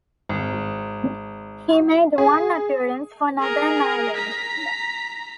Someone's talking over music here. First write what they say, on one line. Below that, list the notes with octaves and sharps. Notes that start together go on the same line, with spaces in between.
He made one appearance for Northern Ireland.
G#1
G#4
G#4 A#4
A#5 B6